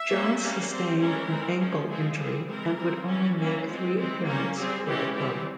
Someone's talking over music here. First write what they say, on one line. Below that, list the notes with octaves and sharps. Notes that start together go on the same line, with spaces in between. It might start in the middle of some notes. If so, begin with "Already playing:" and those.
Jones sustained an ankle injury and would only make three appearance for the club.
Already playing: E5
G3 A#3 C#4
G3 A#3 C#4
G3 C4 C5
E3 G#3 C#4 A#4
E3 G#3 C4
F3 G#3 C#4
F3 G#3 C4 G#4
G3 C4 G#4
E3 G#3 C4 A#4
G3 C4
E3 G3 C#4
E3 A#3 C#4
F3 G#3 C4
E3 G#3 C4
G3 A#3 C#4 A#4
G3 C4 G#4
E3 G#3 C#4 G4
E3 G3 C4 G4